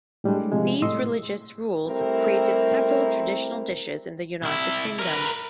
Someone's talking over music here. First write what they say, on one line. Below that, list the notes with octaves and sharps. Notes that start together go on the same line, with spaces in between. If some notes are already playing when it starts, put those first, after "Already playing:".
These religious rules created several traditional dishes in the United Kingdom.
A2 G3 G#3 D4
C3 F3 G#3
A2 D#5 C6 E6
G3 A3 C4 E4 A#4
C2 E4
A#4 B4